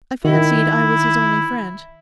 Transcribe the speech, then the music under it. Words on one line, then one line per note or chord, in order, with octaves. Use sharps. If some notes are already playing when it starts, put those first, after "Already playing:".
I fancied I was his only friend.
D#3 E4